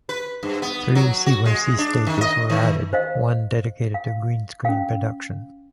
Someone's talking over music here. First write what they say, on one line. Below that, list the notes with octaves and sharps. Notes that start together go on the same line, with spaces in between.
Three cyc stages were added, one dedicated to green screen production.
B4
G2
B3
F#3
F#4
G#3
D4
D#3
D#5
D#3
C5 D#5 F5
F5
C#4 F5